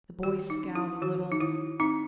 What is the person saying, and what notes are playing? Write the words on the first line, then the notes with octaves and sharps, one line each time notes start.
The boy scowled a little.
D#3 F#4
D#4
C#4
E4
D#3 F#4
D#4
D#3 E4
C4 D#4